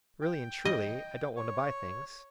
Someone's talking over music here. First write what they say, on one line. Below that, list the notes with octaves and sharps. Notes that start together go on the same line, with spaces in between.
Really and truly, I don't want to buy things.
G5
D#5
C#5